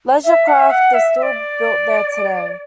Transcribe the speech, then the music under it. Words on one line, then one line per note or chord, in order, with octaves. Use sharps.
Leisure craft are still built there today.
E5
F#5
E5
F#5
E5
E5
D5